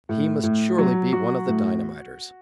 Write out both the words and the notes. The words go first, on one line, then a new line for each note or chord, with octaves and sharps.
He must surely be one of the dynamiters!
A2
A2
F#3
F#3 F#4
A2